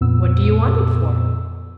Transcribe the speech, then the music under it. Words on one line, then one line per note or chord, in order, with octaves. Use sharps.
What do you want it for?'
F2 A#2 B3 E6